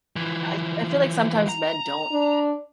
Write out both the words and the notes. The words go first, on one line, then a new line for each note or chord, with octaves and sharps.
I f I feel like sometimes men don't
E3 F3
A#5
D4